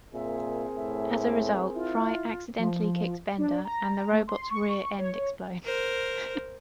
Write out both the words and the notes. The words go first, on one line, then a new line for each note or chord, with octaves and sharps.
As a result, Fry accidentally kicks Bender, and the robot's rear end explodes.
A#2 C4 G#4 A#4 E5
A2 E5
E4 F4
F3
D4
A#5
A3
C6
C#6
C#5
A#4 C5